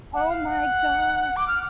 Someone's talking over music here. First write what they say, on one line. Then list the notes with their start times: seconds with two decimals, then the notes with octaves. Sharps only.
Oh my gosh.
0.14 F#5
0.30 F5
0.46 F#5
1.36 D6
1.48 F6